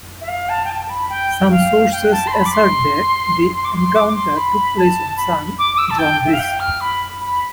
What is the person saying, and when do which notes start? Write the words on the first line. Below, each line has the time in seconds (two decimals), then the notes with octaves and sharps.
Some sources assert that the encounter took place on San Juan Bridge.
0.21 E5
0.28 F5
0.49 A5
0.65 G5
0.70 A5
0.90 B5
1.09 G5
1.51 F5
1.92 G5
2.12 A5
2.27 C6
2.32 B5
2.46 D6
2.52 C6
3.54 C6
3.65 D6
3.74 C6
3.95 D6
4.07 D6
4.15 C6
4.36 B5
4.77 A5
5.17 B5
5.59 D6
5.74 D6
5.78 E6
5.90 A5
5.99 G5
6.26 E5
6.33 F5
6.39 G5
6.60 F6
6.81 B5
7.21 B5